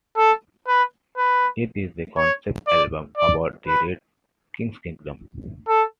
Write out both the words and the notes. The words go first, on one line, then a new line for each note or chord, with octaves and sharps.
It is a concept album about the Red King's kingdom.
A4
B4
B4
C#5
D5
D5
B4
A4